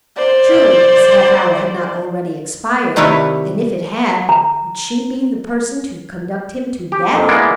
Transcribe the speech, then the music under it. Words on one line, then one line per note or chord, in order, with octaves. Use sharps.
Surely, his half-hour had not already expired; and if it had, would she be the person to conduct him to death?
C5 D5
C3 D#3 G3 E4 B4 C#5
A#5
G4
F2 A#2
G#3 A#3 B3 E4 D5